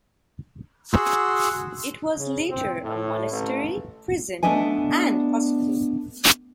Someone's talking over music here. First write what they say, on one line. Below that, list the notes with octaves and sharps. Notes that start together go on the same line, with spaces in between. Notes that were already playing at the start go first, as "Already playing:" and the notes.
It was later a monastery, prison and hospital.
F#4 G#4 F#5 C6 E6
C#3
C4
A2
A1
A3 B3 D4 D#5 E5 G#5